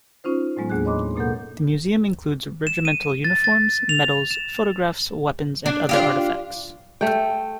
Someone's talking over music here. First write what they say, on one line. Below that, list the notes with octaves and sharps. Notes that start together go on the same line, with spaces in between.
The museum includes regimental uniforms, medals, photographs, weapons and other artifacts.
C#4 D#4 F4 C5
A2 F#3 G#3 B3
D#2 A#3 D4 G#4 F#6
C#5 D#5 B5 C6 D6
B2 A#3 A4 A#4 F#5 G6
E7
D#7
A6
A6
F7
E7
D4
D4 F4 G4
A3 G5